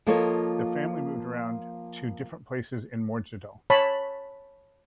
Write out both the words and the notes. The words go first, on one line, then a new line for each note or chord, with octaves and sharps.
The family moved around to different places in Morgedal.
F3 A#3 F4 A4 C#5 D#5
C#5 A5 B5